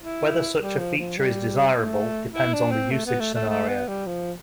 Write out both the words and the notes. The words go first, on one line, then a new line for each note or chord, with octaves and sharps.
Whether such a feature is desirable depends on the usage scenario.
E4
G3
F3
F3
G3
A3
E4
D4
C4
A3
B3
A3
A3
A3
B3
G3
F3